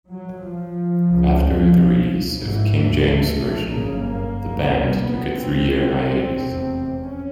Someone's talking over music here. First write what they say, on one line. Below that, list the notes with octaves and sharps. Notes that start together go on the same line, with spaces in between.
After the release of "King James Version", the band took a three-year hiatus.
F#3
F3
C#2 C#3
G#1 G#2 E3
A3
A3
G1 F#2 C#3 A#3
A#3
D2 C3 B3
C4
C4
F1 E2 C3
C#4